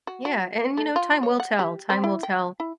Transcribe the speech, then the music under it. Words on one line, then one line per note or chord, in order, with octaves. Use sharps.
Yeah. And, you know, time will tell. Time will tell
F#4
F#4
A3
F4
C#5
F#5
G4
C4
E4
G5
E4